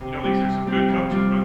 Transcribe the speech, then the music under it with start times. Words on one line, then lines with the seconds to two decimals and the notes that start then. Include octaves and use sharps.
You know, these are some good coaches, but
0.01 C3
0.23 G3 C4 G4
0.45 C3
0.66 G3 C4 G4
0.88 F2
1.10 C3 G3 C4 F4